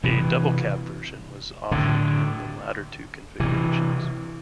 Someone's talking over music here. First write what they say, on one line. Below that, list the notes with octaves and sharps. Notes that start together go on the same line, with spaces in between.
A double cab version was offered in the latter two configurations.
C3 E3
A2 D3
C3 E3